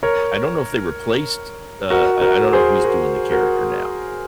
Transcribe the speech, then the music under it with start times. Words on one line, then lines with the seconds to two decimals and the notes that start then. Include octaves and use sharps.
I d don't know if they replaced, uh, I I don't know who's doing the character now,
0.03 A#4 C#5
1.90 F#4 A#4
2.21 F#4 A#4
2.53 G#4 C5
2.84 F#4 A#4
3.31 F#4 A#4